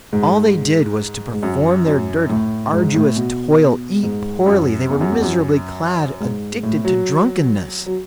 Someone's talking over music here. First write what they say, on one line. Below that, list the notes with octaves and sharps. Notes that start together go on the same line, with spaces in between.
All they did was to perform their dirty, arduous toil, eat poorly; they were miserably clad, addicted to drunkenness.
G#2
G#2
F#2
F#2
A2
G#2
A2
B2
G#2
F#2
E2
F#2
E2
F#2
G#2
A2
F#3
F#3